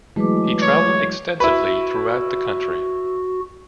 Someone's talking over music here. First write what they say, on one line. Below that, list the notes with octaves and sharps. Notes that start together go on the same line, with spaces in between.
He traveled extensively throughout the country.
E3 F#3 G#3 A3 B4 D6
C#5
E4 F#4 B4